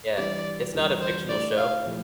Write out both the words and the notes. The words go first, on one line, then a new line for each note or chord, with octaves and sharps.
Yeah, it's not a fictional show.
E3 G3 D4 G4 D5
E2 D3 G3
C5
D3 A3 E4 G4 D5
F5
A#2 F3 A3 E4 G4